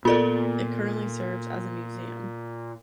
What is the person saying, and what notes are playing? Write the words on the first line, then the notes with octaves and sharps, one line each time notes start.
It currently serves as a museum.
A#2 B3 F4 A4 A#4 D5